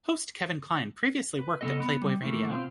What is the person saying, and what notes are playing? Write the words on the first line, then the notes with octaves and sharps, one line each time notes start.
Host Kevin Klein previously worked at Playboy Radio.
B4
C#3 E3 B3 A4 D#5
B3
G3
D#3 E3 A3 A#3
B2 C4 F4